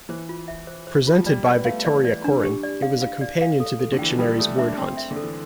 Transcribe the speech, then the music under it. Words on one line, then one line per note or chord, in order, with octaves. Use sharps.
Presented by Victoria Coren, it was a companion to the dictionary's Wordhunt.
E3 C5
F4
E5
C5
C5
F4
F3
G3 D5
B3 D5
A3 F5
E3 D5
D5
D4
G4
D5
F5
F5
D5
F5
A4
A4
D3
E3 G5
F3
G3 A4
A3 A4
D4 E5
C4 A4
E5
D3
A4
E3